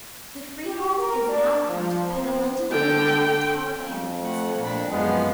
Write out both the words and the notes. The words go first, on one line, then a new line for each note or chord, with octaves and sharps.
The freehold is now owned by the London Borough of Tower Hamlets.
G4
A#4
D4
F3
C4
D3 G5
F2
A3 F#5
A#2 D4 B5
F#2 F3 G#3 B3 F5